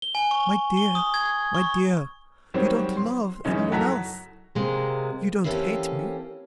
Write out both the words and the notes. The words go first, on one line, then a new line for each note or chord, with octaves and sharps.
My dear, my dear, you don't love anyone else; you don't hate me.
G7
G#5
C#6
G7
D#6
G#6
C#6
D#3 F#3 G3 C4 C5 C#5
C6
F#2 C#3 E3 C#4 D#4
C2 F#3 F#4 A4 A#5 B6
C3 G#3 A#3
E3 A#3 C4 C#4 G4 A4